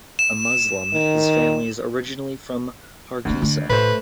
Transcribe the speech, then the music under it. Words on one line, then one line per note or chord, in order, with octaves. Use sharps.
A Muslim, his family is originally from Hargeisa.
E7
D#3
D2 E3 A#3
D3 A3
A2 A3 B4 C5